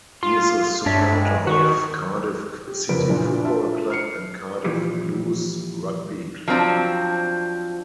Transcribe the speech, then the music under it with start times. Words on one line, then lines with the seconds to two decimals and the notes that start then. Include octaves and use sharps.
He is a supporter of Cardiff City Football Club and Cardiff Blues Rugby Club.
0.23 F4 C6
0.86 G2 D4 C#5 E5
1.13 G#3
1.47 D#3 F#4 C#6
2.68 G4
2.89 F#1 F2 A#4 B4 D7
3.10 A#2 E3 D4
3.42 D4 F4 E5 A5
3.90 F6 C7 C#7
4.65 A#2 E3 F3 G3
6.48 F3 F#3 C4 D4